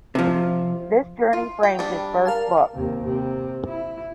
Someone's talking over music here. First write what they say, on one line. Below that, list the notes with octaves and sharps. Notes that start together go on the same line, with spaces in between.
This journey framed his first book.
C3 F3
F4
G5
G3 D4
A#4 F5 A5
D#2 C3
C3
E4